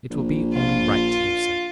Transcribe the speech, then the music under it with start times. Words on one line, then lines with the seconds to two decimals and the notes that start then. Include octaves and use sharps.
"It will be only right to do so."
0.11 A#1
0.54 F4